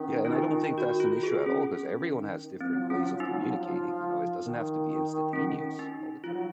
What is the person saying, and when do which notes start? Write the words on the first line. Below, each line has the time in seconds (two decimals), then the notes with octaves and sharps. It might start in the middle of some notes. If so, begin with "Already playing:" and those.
yeah, and I don't think that's an issue at all 'cause everyone has different ways of communicating, you know? It doesn't have to be instantaneous all the time.
Already playing: D#3 C#4
0.25 F4
0.32 D#4
0.78 F#4
1.00 F4
1.23 G#4
1.46 C#4
1.99 D#3
2.18 D#3
2.59 F3 C4
2.70 F#3
2.80 F3
2.89 F#3 C#4
3.00 F3
3.09 F#3
3.18 F3 D#4
3.29 F#3
3.39 F3
3.48 F#3
3.57 F3
4.42 D#3
5.33 C#4
5.79 D#4
6.24 F3 F4
6.33 F#3